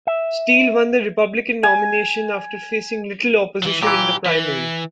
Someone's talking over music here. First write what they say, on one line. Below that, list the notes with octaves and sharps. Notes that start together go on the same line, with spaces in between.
Steele won the Republican nomination after facing little opposition in the primary.
E5
G#5
E3 F#3
A#2 E3 G4
E3 B4